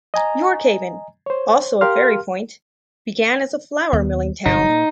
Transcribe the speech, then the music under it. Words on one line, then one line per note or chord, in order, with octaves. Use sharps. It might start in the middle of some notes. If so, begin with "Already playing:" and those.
York Haven, also a ferry point, began as a flour milling town.
D#5 G#5 A#5
C5 C#5
G4 A#4 F5 C6 F6
D#2 B3
G1 G#2 C3 D#4
A#2